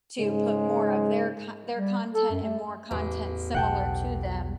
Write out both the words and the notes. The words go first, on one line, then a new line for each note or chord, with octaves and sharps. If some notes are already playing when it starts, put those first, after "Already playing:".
to put more of their co their content and more content similar to them,
G#2 C#3 G#3
G3
A4
F#2
A3
A1 E2
B1 F#5 G5 A5